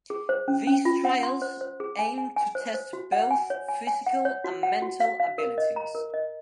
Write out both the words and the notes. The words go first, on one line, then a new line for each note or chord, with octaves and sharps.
These trials aim to test both physical and mental abilities.
G#4
C5
C#4
C#4
F4
F#5
C6
C5
C5
G#4
G#5
G#5
G#5
C5
C5
F#4
F#5
G#5
C#5
G#5
G#5
F#5
C#5
F#4
F#5
F#4
F5
F5
A#4
D#5
A#5
A#4
D#5